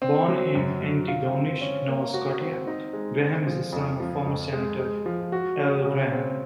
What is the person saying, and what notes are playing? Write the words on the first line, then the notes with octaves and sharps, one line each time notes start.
Born in Antigonish, Nova Scotia, Graham is the son of former senator Al Graham.
C4
F#3
F#2
F#3
F4
C4
C#4
A#3
F#4
C4
D#4
G#3
C4
F3
F2
F3
F2
G#3
G#3
F3
F#4
C#4
C#3
C4